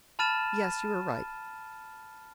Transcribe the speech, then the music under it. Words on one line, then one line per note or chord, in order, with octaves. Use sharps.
Yes; you are right.
A5 B5 F6 A6 D#7 E7